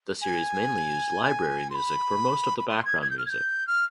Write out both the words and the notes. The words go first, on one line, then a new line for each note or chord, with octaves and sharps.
The series mainly used Library music for most of the background music.
G#5
C6
B5
B5
C6
G#6
G#6
G6
F6
G#6
G6
F6